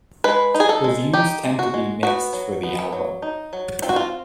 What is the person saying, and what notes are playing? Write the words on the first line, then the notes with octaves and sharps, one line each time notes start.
Reviews tend to be mixed for the album.
G#3 B4
D#4
G#4
A4
G#3
D#4 G4
G#3
F#4
G#3
B3 F#4
F#3
B3
F#3
D#4
F#3
C4 F4
F#4
F4